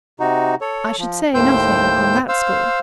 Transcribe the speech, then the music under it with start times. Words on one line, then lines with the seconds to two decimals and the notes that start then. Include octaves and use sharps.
"I should say nothing,--on that score."
0.20 C3 D#4 F#4
0.61 A4 C#5
0.98 F3
1.34 D#2 A2 C5 G5 E6 G6
2.29 C5 F5 E6